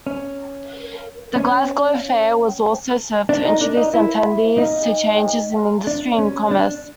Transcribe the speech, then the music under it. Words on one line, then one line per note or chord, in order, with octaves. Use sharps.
The Glasgow Fair also served to introduce attendees to changes in industry and commerce.
C#4
C#4
D4
D#4
D4
D#4
E4
D#4
D4
C#4
D4